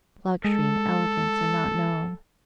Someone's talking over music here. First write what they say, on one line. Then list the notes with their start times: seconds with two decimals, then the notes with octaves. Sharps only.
Luxury and elegance are not known.
0.45 G#3 A4